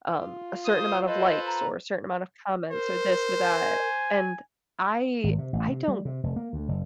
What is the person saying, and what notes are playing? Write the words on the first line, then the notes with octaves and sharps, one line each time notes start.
um, a certain amount of likes, or a certain amount of comments, or this or that, and I I don't
F4
A#3 C5 D#6
A4 B4 C5 D#5
A#5
A#4 C5
G#5
G#1
C3
A1
C3
G3
C3
F1
A#3
D2
F#1